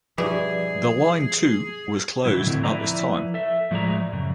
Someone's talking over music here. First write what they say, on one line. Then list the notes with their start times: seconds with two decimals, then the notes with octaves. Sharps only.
The line to was closed at this time.
0.18 G2 B2 E3 F3 G#4 D5
2.25 A#2 D3 F#3 E4
2.46 A2 D3 C4 E4
2.64 F3 E4 A#4 B4 D5 A#5
3.34 A4 E5
3.71 A2 F3 G#3 D5 E5 A#5
4.12 F#2 C#3